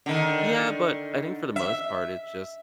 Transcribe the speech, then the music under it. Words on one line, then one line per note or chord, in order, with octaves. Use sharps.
Yeah, but I think for the most part, it's just
D3 D#3
E5